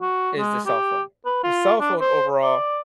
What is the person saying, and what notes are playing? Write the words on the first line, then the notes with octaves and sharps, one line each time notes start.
is the cell phone. The cell phone overall
F#4
G#3
G4
B4
F4
D4
C5
D5